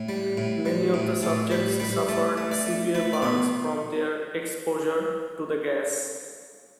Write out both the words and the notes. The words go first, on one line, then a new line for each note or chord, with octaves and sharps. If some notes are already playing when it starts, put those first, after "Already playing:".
Many of the subjects suffered severe burns from their exposure to the gas.
Already playing: A2
G3
A2
G3
A2
A2 A4
G3 B4
G3 B4
A3 A4
A3
D5
A3
A3 B4
D5
B2 B4